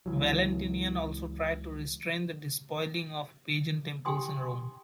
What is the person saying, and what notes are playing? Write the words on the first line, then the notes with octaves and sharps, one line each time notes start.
Valentinian also tried to restrain the despoiling of pagan temples in Rome.
C#2 E3 F#3
G4 G5 G#5 C6 D#6